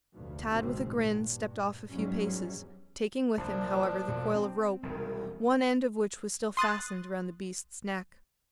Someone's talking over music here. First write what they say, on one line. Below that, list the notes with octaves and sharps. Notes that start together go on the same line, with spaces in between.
Tad, with a grin, stepped off a few paces, taking with him, however, the coil of rope, one end of which was still fastened around the beast's neck.
F1 D2 G2
G#1 C#2 G#2 B2 C4
G2 A#2
E2 G#2 F#3 G3 C#4
C2 A#2 F3 D4
E1 G2 B2
C4
E1 C2 D#3
C6 D#6 F#6 A6